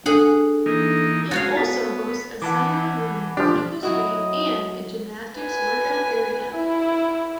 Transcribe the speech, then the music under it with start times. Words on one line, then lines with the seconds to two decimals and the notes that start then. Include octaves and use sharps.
It also hosts a seminar room, medical suite, and a gymnastics workout area.
0.06 D4 G#4 A4 F#5
0.66 E3 A#3 D#4
1.31 G#3 F#4 C#5 F5 A5
1.57 B3 B6
2.42 E3 F#5 A5 B5 D6 F#6
3.37 F3 D4 G4
3.83 F#3 E4 F#4 D#5
5.38 B4 G#5
6.51 E4